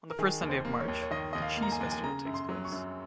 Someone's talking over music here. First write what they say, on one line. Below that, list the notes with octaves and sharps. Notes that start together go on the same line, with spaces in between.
On the first Sunday of March the “Cheese Festival” takes place.
A#4
D#3 G#4
D#2
C5
A#3
C#5
D#2
C#5
D#3 D#5
D#2 D#5
F5
A#3
A#5
G#5
D#2
G#5
C#3 A#5
F#2
C6
F#3
C#6
F#2